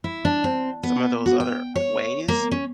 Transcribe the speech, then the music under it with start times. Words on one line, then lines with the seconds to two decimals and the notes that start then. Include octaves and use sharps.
some of those other ways,
0.04 E4
0.25 D4
0.44 C4
0.83 B3
1.26 F#4
1.40 G5
1.76 C#5
2.28 A#3
2.51 C#4